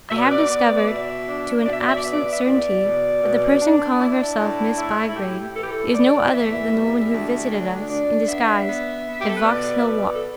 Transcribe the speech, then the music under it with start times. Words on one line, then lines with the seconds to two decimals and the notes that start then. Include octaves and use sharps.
I have discovered, to an absolute certainty, that the person calling herself Miss Bygrave is no other than the woman who visited us in disguise at Vauxhall Walk.
0.10 B2 E5
0.17 D5
0.24 B4
0.31 D5
0.48 B3
0.77 D5
0.88 B2 E5
1.27 D4
1.66 B2 D5
1.73 E5
1.81 D5
1.89 E5
1.96 D5
2.04 B3 E5
2.11 D5
2.33 E5
2.44 E2 D5
2.83 B2
3.22 B2
3.61 D4
4.00 D4 E4
4.39 A2
4.77 A3 E4
5.09 E4
5.17 A2 G4
5.56 E3 A4
5.64 G4
5.72 A4
5.95 E3 D5
6.34 E2 E5
6.73 G3
7.12 D2 E5
7.51 D4
7.90 D4 D5
8.29 B3 E5
8.68 B3
9.07 B3
9.20 G4
9.29 A4
9.37 B4
9.46 B2 D5
9.79 E5
9.85 B3 D5
10.13 A4